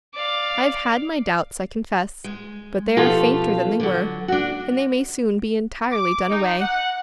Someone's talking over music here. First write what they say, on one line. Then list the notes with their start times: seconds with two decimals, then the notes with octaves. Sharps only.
I have had my doubts, I confess; but they are fainter than they were, and they may soon be entirely done away.
0.14 D5 F5
2.24 G#3
2.97 B2 F3 C#4 F4 G4 A4
3.80 D3 F#3
4.28 D4 F#4
5.92 D6
6.28 D#4
6.60 F#5